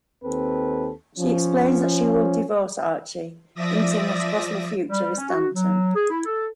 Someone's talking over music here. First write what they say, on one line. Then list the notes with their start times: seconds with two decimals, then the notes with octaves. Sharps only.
She explains that she will divorce Archie, hinting at a possible future with Stanton.
0.24 D#2 C4 A4 B4
1.19 F3 C#4
3.54 F3 D5 E5 D#6 A#6
4.89 G3
5.18 C#4
5.29 F#4
5.55 F#3
5.94 G#4
6.10 E4
6.25 A4